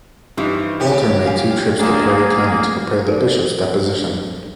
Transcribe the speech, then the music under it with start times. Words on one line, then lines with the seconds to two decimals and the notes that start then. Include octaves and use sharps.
Walther made two trips to Perry County to prepare the Bishop's deposition.
0.37 G2 E3 F3 D#4
0.80 C#4 G4 G6
1.25 F5 G#5
1.79 D2 F3 A#3 D4 G#4
3.08 D#4 A4 A#4 C5 D5